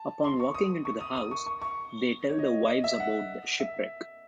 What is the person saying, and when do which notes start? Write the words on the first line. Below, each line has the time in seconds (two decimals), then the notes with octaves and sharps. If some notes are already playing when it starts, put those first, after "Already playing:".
Upon walking into the house, they tell the wives about the shipwreck.
Already playing: A5
0.24 C6
0.40 C#6
0.54 D#6
0.85 C#6
1.00 D#6
1.16 D#6
1.31 C#6
1.46 C#6
1.62 C#6
2.29 C#5
2.39 D#5
2.68 D#5
2.84 E5
3.00 F#5
3.60 E5